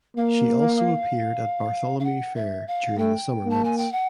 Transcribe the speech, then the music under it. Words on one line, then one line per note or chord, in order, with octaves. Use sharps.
She also appeared at Bartholomew Fair during the summer months.
A#3 F5
F5
F#5
E5
F5
A3 G5
A#3 A5
G#5
G5
F#5